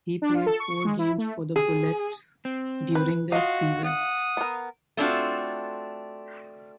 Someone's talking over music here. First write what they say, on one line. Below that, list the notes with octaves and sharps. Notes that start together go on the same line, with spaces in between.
He played four games for the Bullets during the season.
D4
F4
A4
C#6
G#3
E4
A3
G#4
C4
B4
F4 F#4 D#5 F5
F#5 D#6
B3 A#4
A3 C4 D4 F4 F#4